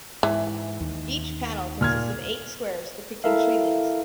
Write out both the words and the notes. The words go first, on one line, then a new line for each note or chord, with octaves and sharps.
Each panel consists of eight squares depicting tree limbs.
G#2 E3
D#2 D#3
A#2 F6 G#6
E4 A4 A#4 E5 F5